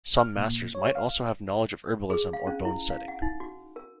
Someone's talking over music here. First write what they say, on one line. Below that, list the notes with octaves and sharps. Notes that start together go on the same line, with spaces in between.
Some masters might also have knowledge of herbalism or bone-setting.
F6
A#2
C#5
F5
G#4
F5
C#4
E4
F5
F#5
D#4
F#4
A#4